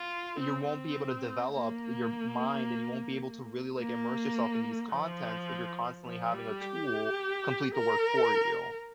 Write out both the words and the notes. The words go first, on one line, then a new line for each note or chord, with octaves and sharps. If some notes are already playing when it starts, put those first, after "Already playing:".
you won't be able to develop your mind, and you won't be able to really, like, immerse yourself in these contents if you're constantly having a tool complete the work for you,
Already playing: F4
C4
C4
A#3
A#3
F3
F3
G3
G4
A#4